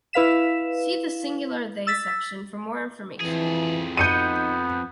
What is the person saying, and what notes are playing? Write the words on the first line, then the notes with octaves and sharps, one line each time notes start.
See the singular they section for more information.
E4 B4 F5 B6 E7
E6 A6 B6
F2 E3 G#4
B3 D#4 G6 C#7 D#7